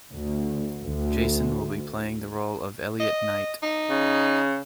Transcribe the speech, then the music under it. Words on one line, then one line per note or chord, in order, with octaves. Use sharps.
Jason will be playing the role of Elliot Knight.
D2
D2
D#5
D#4
C#3